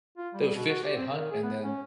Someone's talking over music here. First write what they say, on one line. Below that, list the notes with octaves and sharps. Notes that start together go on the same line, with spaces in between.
they would fish and hunt and then
F4
G3
B2
F#4
G4
C4
D#3
G#4
B3
C#4